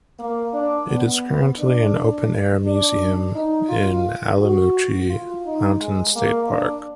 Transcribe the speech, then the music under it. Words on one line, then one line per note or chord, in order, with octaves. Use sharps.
It is currently an open-air museum in Allamuchy Mountain State Park.
A#3
D4
B3
D4
D4
D#4
F4
F#4
F4
D#4
G#3
A#3
D4